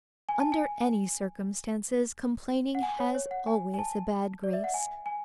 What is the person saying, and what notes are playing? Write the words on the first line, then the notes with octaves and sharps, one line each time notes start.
Under any circumstances, complaining has always a bad grace.
G#5
A5
G#5
F#5
G#5
C#5
C#5
F#5
G#5
G#5
A5
D5
E5
F#5
G#5
G#5